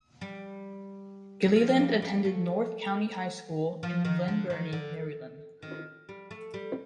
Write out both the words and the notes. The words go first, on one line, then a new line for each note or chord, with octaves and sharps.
Gilleland attended North County High School in Glen Burnie, Maryland.
G3
F3
G3
G3
A3
F3
D#3
D3
D#3
D3
D#3
G3
A3
G3